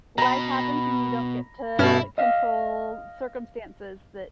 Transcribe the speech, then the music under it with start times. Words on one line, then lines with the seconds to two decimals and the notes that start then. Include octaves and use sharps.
Life happens, and you don't get to control circumstances that
0.18 B2 A#5 B5
1.79 G2 B2 C#4 E4 F6
2.18 D#5 F5